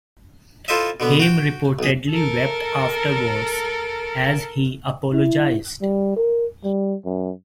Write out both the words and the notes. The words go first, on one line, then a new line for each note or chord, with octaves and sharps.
Haim reportedly wept afterwards as he apologized.
E4 F4 A4 C5 D#5 E5
B2 D3 B3
F#4 G5
B1 G#4
A4 A#4
E4
G3
A#4
G3
F#2